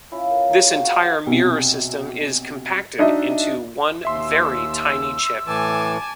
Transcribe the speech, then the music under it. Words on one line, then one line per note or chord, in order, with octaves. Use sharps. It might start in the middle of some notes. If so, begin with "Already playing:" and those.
This entire mirror system is compacted into one very tiny chip.
C#4 E4 F4
A#4 B4 A5
A#3 G#4 C5 F5
F#4 G#4 C#5 G5
F#4 C5
B1 C3
D4 D#4 F#4 D#5 E5
D#2 E5 C6 E6
A2 E3 G#5 A5 D6